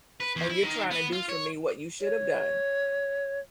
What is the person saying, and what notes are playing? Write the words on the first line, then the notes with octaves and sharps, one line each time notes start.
and you're trying to do for me what you should have done
B4
E2
E4
D#3
B3
F4
C#5
C#5